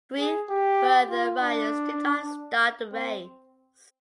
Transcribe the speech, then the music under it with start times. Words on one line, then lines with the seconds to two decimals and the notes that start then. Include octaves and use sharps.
Three further riders did not start the race.
0.19 G#4
0.50 G4
1.10 F4
1.40 D4
2.92 C4